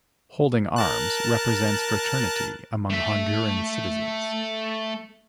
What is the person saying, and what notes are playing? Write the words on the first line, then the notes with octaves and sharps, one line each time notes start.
Holding arms represent fraternity among Honduran citizens.
A#4 A5 F#6
A3 E5